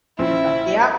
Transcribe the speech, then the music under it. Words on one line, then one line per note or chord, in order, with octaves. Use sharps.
he's like, "Yep.
A#1 C#4 E4 C5